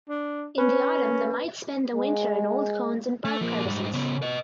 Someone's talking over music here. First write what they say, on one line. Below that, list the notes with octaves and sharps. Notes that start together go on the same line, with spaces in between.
In the autumn the mites spend the winter in old cones and bark crevices.
D4
C#4 B4
G#3
A3
F3 A#3
G#2 G3
C#3 B3
B4 D#5